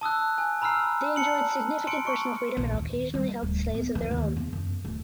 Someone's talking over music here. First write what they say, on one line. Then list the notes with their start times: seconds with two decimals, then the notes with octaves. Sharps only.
They enjoyed significant personal freedom and occasionally held slaves of their own.
0.01 A5 D#6 E6 F#6
0.38 G#5
0.62 A#5 B5 E6 F6 C7
1.16 A5 C#7 F#7
1.87 C6 C#7 D7
2.07 C#6 C#7
2.57 A#1
2.73 D#2
3.14 G3
3.43 D1
3.74 B3
3.95 E3
4.11 D#2
4.37 E2
4.53 F#2
4.85 D1